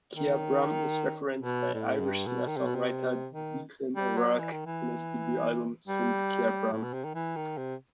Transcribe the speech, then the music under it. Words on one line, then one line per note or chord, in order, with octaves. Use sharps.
Kyabram is referenced by Irish singer-songwriter Declan O'Rourke on his debut album "Since Kyabram".
D#3
B2
A2
F#2
G2
B2
D#3
C3
B2
C3
D#3
G3
F#3
E3
D#3
E3
G3
A2
B2
C3
D#3
E3
D#3
C3